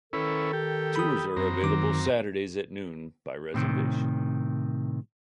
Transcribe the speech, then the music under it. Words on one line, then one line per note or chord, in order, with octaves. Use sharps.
Tours are available Saturdays at noon by reservation.
D#3 C#4 E4 A4 B4
G4
B5 D#6
F#2 C4 A#5
D#3 D6
A2 C3 D#3